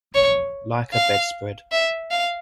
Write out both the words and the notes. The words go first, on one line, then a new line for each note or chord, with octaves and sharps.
Like a bedspread.
C#5
F5
E5
F5